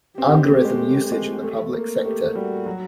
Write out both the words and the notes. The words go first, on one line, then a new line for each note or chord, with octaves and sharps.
Algorithm usage in the public sector.
C4 G4
A#3
A3
G#3
G#3
A3
A#3
A3 G4
G3 F#4
F#3